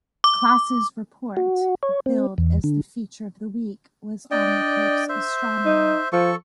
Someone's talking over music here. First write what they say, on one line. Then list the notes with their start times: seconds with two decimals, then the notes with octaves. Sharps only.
Klass's report, billed as the feature of the week, was on the Pope's astronomer.
0.24 D6
1.37 F#4
1.83 C#5
2.06 C4
2.38 E2
2.64 D3
4.31 D4 D5 D#5 G5
5.09 C5 E5
5.66 D#4
6.12 F3 A4 C#6